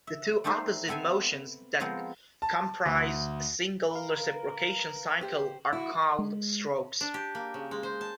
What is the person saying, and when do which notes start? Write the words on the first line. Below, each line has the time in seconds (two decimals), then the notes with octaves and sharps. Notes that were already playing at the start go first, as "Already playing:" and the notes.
The two opposite motions that comprise a single reciprocation cycle are called strokes.
0.07 E5
0.44 G3 A3 D#4 C5 E5
0.88 B3 C4 A4 E5 G#5
1.80 F3 G#3 B3 C4 A#4
2.42 A5
2.85 D2
3.91 A#4 B4 F5
5.21 G4 C5
5.73 E4 F#4
6.19 G#3
7.01 D4
7.14 G4
7.35 A#3
7.54 C#3
7.71 G#3
7.83 C5
8.01 A5